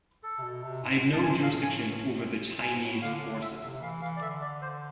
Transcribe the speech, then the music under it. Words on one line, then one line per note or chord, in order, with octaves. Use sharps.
I have no jurisdiction over the Chinese forces.
A4
C3
B2
C3
G#2
A2
A5
G#5
F5
G#5
G#2 G#5
A2
D3 F5
D3
E5
C3 E5
E3 F5
E3 F5
D5
D3 E5
D5
C5